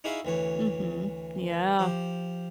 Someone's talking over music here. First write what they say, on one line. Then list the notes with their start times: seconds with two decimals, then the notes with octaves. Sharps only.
Mhm. Yeah.
0.04 D#4 E4 F#4 G#4 E5 F5
0.25 D2 E3 C#5
1.79 F3 G4